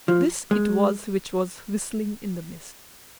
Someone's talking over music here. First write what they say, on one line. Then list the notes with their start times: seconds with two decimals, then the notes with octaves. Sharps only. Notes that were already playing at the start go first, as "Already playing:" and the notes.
This it was which was whistling in the mist.
0.08 F3
0.51 G#3